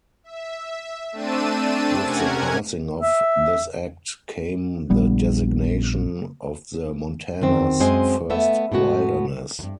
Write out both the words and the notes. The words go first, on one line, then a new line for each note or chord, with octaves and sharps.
With the passing of this Act came the designation of the Montana's first Wilderness.
E5
A3 C4 D4 A5 E6 D#7
C3 C#4 A#4 F#5 G#5 G#6
E5
A#1 G3 B3
F#2 D#3 C4
F#2 G#3 C4 C5 D#5 G#5
A3 B3 E5
A2 G#3 B3 F#4
E2 G2